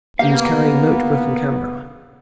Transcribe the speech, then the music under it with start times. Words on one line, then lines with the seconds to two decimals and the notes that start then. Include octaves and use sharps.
He was carrying note-book and camera.
0.19 A#3 B3 G4 F5